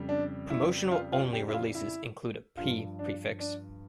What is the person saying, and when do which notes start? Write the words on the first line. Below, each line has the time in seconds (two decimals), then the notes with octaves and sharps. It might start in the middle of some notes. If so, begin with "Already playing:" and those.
Promotional-only releases include a "P" prefix.
Already playing: F2 C#3 G3
0.09 D4
0.50 E4
0.91 F4
1.13 F4
1.33 G4
1.48 E4
1.54 F4
1.75 E4
2.57 G2 F3 F4
2.99 D4
3.40 D4